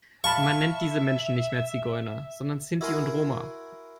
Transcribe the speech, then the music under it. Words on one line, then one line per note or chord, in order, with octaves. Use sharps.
Man nennt diese Menschen nicht mehr Zigeuner, sondern Sinti und Roma.
E5 F5 A5 B5 C#6
E4 F#4 A#4 G#5 C6